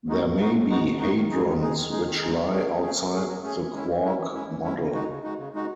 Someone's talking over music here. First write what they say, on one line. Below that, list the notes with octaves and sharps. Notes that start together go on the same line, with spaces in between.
There may be hadrons which lie outside the quark model.
G#3 B3 D#4 F#4
A2
G#3 B3 D#4 F#4
A2
G#3 B3 D#4 F#4
A2
G#3 B3 D#4 F#4
D#3
G#3 D#4 G#4
D#3
G#3 D#4 G#4
D#3
G#3 D#4 G#4
D#3
G#3 D#4 G#4
F#3
A3 C#4 G#4
F#3
A3 C#4 G#4
F#3
A3 C#4 G#4
F#3
A3 C#4 G#4
E3
G#3 C#4 E4
E3
G#3 C#4 E4
E3
G#3 C#4 E4
E3
G#3 C#4 E4
C#3
G#3 D#4 F#4
C#3
G#3 D#4 F#4
C#3
G#3 D#4 F#4